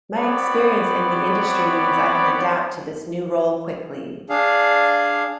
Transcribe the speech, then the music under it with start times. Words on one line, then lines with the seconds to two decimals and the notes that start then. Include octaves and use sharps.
My experience in the industry means I can adapt to this new role quickly.
0.18 B3 C4 C#5 D5 B5
4.29 D4 G#4 F5